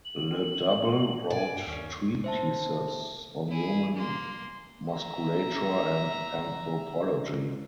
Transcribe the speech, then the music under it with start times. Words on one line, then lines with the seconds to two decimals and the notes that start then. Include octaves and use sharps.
Le Double wrote treatises on human musculature and anthropology.
0.05 F#7
1.30 G2 D5 G#5
1.67 D#2 C#4
2.24 C5 E5 A5
3.49 E4 G#4
3.95 A#3 C6
4.92 E5 A#5